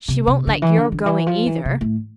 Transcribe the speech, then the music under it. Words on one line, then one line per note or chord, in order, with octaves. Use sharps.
"She won't like your going, either."
C3
C3
D3
E3
D3
D3
E3
F3
E3
C3
A2